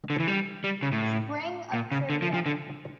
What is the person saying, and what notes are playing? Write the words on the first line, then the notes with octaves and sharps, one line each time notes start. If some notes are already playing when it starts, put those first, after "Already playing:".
Spring of Trivia.
D3
E3
G3
G3
C#3
A2
A#2
C#3
D3
F3
F3
D3